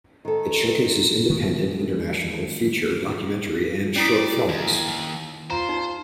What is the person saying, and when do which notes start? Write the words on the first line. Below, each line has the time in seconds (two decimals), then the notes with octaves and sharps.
It showcases independent, international, feature, documentary and short films.
0.25 D#3 A4
1.29 D#3 G#3 B3
3.96 C#4 E4 D5 D#6
4.49 D#2
5.50 F4 C5 A#5
5.69 D#4